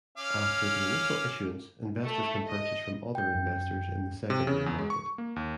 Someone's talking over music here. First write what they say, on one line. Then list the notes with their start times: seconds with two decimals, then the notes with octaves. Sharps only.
After the initial issuance, investors can purchase from other investors in the secondary market.
0.17 C#4 F5 D6
2.04 A3
2.46 D#5
3.15 G5 G6
3.35 F#2
4.30 C3
4.47 C#3
4.66 E2
4.78 G#3
4.90 C#6
5.18 A#3
5.36 D#2